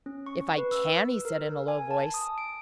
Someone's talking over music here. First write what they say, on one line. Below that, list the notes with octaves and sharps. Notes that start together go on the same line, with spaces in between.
"If I CAN!" he said, in a low voice.
C#4
C#6
B4
E6
A#4
G#5
A5
D#6
D7